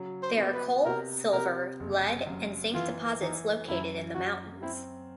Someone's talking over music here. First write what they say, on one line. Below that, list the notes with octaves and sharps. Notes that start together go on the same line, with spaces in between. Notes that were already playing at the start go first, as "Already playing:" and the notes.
There are coal, silver, lead, and zinc deposits located in the mountains.
Already playing: C#3 F#3
C5
B3
B4
C3 A#4
C3 A#4
F#1
F#2
E3 F4
E3 D#4
F#2 E4
F#2 F#4
C4 E4